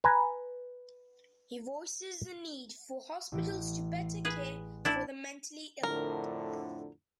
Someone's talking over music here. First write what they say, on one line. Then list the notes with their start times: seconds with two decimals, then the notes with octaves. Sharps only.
He voices the need for hospitals to better care for the mentally ill.
0.04 B4 G#5 A#5
3.32 A1 E3 D7
4.25 G#4 B4
4.85 D4 E4
5.83 F2 A2 D3 A#4